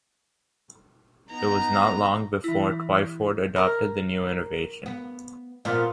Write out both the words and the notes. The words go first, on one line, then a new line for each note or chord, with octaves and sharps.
It was not long before Twyford adopted the new innovation.
B3 D#4 A#5
E3 E4
A#4 A#5
B3
A#2 F3 B3 F4